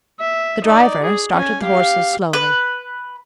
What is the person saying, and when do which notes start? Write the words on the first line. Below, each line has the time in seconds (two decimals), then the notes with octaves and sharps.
The driver started the horses slowly.
0.20 E5
0.64 D#4 D5
1.02 G#4
1.33 C#4 G#5
1.62 G4 F5
2.33 B4